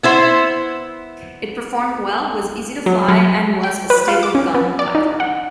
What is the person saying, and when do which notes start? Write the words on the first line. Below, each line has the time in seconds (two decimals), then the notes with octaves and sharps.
It performed well, was easy to fly and was a stable gun platform.
0.03 B3 E4 C5
2.86 F#3
3.08 F#3
3.63 G5
3.90 B4
4.08 F4
4.23 D6
4.35 C#4
4.55 B3
4.79 D5
4.95 D#4
5.20 F#5